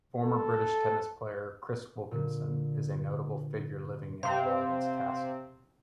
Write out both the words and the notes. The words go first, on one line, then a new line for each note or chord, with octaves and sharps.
Former British tennis player Chris Wilkinson is a notable figure living in Rowland's Castle.
A4
A#2 D3
C3 C4 F5